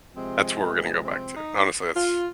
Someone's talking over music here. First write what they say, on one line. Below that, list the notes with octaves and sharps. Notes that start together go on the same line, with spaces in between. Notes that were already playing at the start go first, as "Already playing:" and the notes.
That's where we're gonna go back to, honestly, that's
C3 F3 G#3 C4
B3
C4
D#4
F4